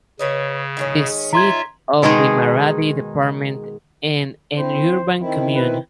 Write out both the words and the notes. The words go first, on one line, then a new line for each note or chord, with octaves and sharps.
It is seat of the Maradi Department and an Urban Commune.
C#3 B4 C#5 D#5
D#3 G#3 C#4
F4 E5 A#5 C6 G#6
B2 D#3 G#3 D#4 G#4
C4 E4 C5
D#3 C4 E4
B4